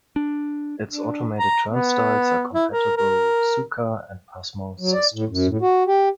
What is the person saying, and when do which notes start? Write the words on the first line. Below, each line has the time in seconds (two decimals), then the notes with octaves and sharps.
Its automated turnstiles are compatible with Suica and Pasmo systems.
0.16 D4
0.89 D4
1.39 A#5
1.70 B3
2.54 E4
2.71 A#4
2.97 A#4
4.80 F#3
4.93 D5
5.14 A2
5.30 F#2
5.47 A2
5.61 F#4
5.87 G4